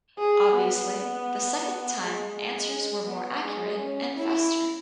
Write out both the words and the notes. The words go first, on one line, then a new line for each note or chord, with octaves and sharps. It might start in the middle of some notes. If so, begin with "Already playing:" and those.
Obviously the second time answers were more accurate and faster.
G#4
B3
G#3
G#3
B3
G#3
C#4
E4